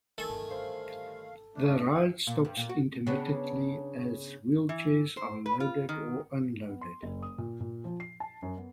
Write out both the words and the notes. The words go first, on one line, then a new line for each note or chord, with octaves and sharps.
The ride stops intermittently as wheelchairs are loaded or unloaded.
D#3 A3 A4 G#5
D3 G3 C5 F5
G2 F3 F#3 A3 D4
A#2
G2
A#2
F#4
C#3 B3 D4
E3
C5
B4
F4
D#3
B3
C6
F#1
D#6
A#2
A#2
F3
C7
A5
F#2
B3